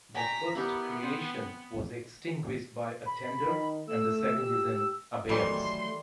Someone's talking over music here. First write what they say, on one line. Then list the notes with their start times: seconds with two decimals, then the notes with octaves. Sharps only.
The first creation was extinguished by attainder and the second is in abeyance.
0.14 C#5 G5 G#5 A#5 B6
0.55 B3 E4 G4 A#4
1.03 C4
3.06 B5
3.45 D#3
3.88 A3 E6
4.36 G4
5.29 D#3 E3 F#3 G3 A3 A4 A#4 C6